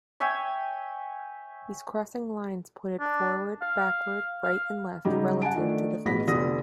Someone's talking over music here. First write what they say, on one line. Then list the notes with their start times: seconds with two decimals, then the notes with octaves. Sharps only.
These crossing lines pointed forward, backward, right, and left, relative to the fencer.
0.20 C#5 E5 G5 G#5
3.00 D4
3.62 F5
4.44 F5
5.05 G2 C#3 F#3 D#4 G4
5.42 F#5 G#5 A5 D7
5.55 D#3 F3 A3 D4
6.05 A1 B2 G#3 B3 A#6 B6
6.27 F1 D3 B3 D#6 A#6